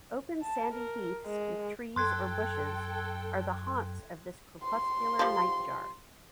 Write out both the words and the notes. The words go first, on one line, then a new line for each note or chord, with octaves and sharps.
Open sandy heaths with trees or bushes are the haunts of this crepuscular nightjar.
A5
A#4
G#3
F#2 A4 G5 C6 F#6 G#6
C6
F3 G3